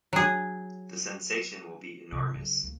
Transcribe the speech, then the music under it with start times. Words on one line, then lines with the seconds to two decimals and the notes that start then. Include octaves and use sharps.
The sensation will be enormous.
0.13 F#3 G#4
2.12 C3
2.35 C#3 F#3
2.63 C#2 A#3